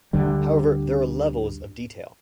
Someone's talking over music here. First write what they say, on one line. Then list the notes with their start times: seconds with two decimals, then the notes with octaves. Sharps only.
However, there are levels of detail.
0.13 D2 D3 G3